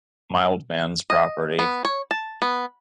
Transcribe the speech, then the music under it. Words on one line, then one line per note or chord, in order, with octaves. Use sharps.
my old man's property
D#5
B3
C#5
A5
B3